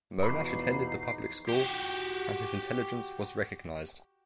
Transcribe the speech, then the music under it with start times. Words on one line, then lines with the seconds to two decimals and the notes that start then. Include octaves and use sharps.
Monash attended the public school and his intelligence was recognised.
0.23 E2 B2 F3 D#4 B5 C#6 D6 C7
1.49 F#4 G4